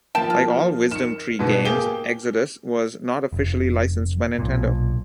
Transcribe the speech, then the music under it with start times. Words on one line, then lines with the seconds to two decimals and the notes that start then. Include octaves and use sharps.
Like all Wisdom Tree games, "Exodus" was not officially licensed by Nintendo.
0.15 F3 A#3 G5 A5
0.30 F4
0.91 D#3 C#7 E7
1.39 G#2 B2 B3
1.65 A#3 G4 G#4 G7
3.32 F1
4.39 B1 A#2